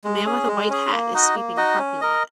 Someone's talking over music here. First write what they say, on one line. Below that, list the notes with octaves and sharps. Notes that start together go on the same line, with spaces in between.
A man with a white hat is sweeping a parking lot.
G#3
C#4 G#4
G#3
C#4 G#4
A#3
D#4 F#4 D#5
A#3
D#4 F#4 D#5
C#4
A#4 D#5